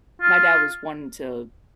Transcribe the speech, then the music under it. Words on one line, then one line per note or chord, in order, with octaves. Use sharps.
my dad was one to
F4